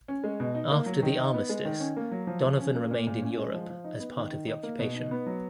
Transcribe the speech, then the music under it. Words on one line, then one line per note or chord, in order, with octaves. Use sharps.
After the Armistice, Donovan remained in Europe as part of the occupation.
C#4
G#3
B2
D#4
A#3
F#3
D#3
D#4
B3
G#3
D#3
C#4
A#3
F#3
F3
F3
C#4
A#3
A#2
A#2
C#4
G#3
F3
F3
D#4
B3
D#3
D#3
D#4
A#3
B2
D#4
B3
F#3